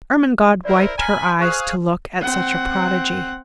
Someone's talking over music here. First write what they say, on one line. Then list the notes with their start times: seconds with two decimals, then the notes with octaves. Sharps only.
Ermengarde wiped her eyes to look at such a prodigy.
0.65 E4 A#4 C5 D5
0.98 G#5 A#5 B5 F6
1.40 G#4 C5 F5 C#6 F#6
2.21 C4 F#5